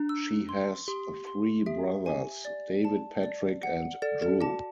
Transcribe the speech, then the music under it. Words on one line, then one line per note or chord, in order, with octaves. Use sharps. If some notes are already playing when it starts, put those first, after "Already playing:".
She has three brothers: David, Patrick and Drew.
Already playing: D4
E6
C6
G4 C6
C6
G4 E5
G#5
D5
A5
D5
F#5
A4 D5
A4
F#4 A5